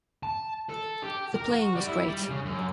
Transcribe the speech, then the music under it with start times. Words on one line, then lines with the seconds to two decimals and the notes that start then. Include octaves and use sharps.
The playing was great.
0.23 A5
0.70 A4
1.04 G4
1.34 A#4
1.50 F#4
1.75 G3
1.87 E4
2.06 G3
2.29 C#3
2.45 F#2